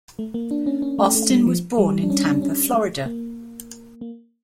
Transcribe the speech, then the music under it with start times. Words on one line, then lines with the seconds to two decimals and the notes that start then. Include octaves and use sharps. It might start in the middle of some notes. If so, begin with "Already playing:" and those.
Austin was born in Tampa, Florida.
0.19 A3
0.34 A#3
0.51 D4
0.66 C#4
0.82 C#4
0.98 A3
1.15 A3
1.30 G3
1.47 F3
1.78 G3
2.03 D4
2.10 C#4
2.26 D4
2.42 C#4
2.74 A3
3.06 A#3
4.01 A#3